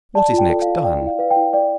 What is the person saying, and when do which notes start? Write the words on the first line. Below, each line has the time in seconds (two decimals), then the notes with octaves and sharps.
What is next done?
0.15 D5 A5
0.32 F4
0.38 G5
0.49 A4
0.62 F5
0.67 F4
0.84 D5 G5
1.01 E4
1.07 F5
1.19 B4 F5
1.31 G5
1.36 E4
1.53 D5 G5